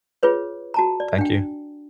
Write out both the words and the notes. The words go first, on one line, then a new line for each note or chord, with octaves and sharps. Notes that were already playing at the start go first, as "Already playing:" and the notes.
Thank you.
F4 G#4 B4 C#5
F#4 A5 A#5
D5
D4 G5